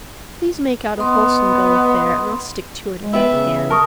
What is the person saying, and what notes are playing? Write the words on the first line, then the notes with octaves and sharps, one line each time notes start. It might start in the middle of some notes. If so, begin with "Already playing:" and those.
Please make out a wholesome bill of fare, and I'll stick to it, if I can.
B3 D#5 C6
G#3
B3 G4 B4 E5
C#3
A#4 A5 C#6 D#6